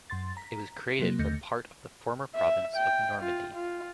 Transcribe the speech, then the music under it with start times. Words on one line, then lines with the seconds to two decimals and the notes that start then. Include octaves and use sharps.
It was created from part of the former province of Normandy.
0.10 F#2 C6 A6
0.37 A#5 B6
0.99 C3 F#3 A#3
1.19 D#2 D3 A3 G6 A#6 C#7
2.35 E5
2.77 G5
3.22 F4
3.54 F4